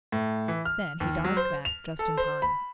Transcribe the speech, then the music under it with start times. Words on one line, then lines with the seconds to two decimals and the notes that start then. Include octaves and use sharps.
Then he dodged back just in time.
0.12 A2
0.48 E3
0.65 F6
1.00 D#2
1.24 F#3
1.37 C5
1.65 F7
1.99 A4
2.17 C5
2.42 B5